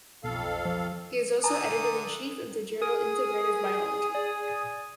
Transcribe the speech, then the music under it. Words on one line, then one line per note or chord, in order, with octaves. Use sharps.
He is also editor in chief of the journal "Integrative Biology".
B1 F2 A4 F5
F3
D3 G#5 A#5 D#6
G#4 A#4 G#5 D#6
D5